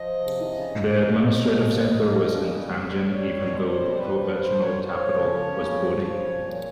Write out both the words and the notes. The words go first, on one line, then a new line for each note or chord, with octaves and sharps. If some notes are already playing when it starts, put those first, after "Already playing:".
The administrative centre was in Tianjin even though the provincial capital was in Baoding.
Already playing: F3 D#5
C3
C#3
C#3
F3
C#3
F3
C#3
G3
G3
G3
G3 C#5
B2
C5
G3
F3 B4
B4
F3
C5
F3
C#5
F3 C#5
C#3
C#3
F3
F3
A#2
C#5